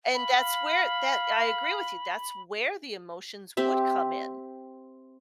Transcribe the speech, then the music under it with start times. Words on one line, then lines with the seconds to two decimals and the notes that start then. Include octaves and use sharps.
And that's where that I agree with you, that's where the emotions would come in
0.14 F5 B5
3.57 C4 G4 E5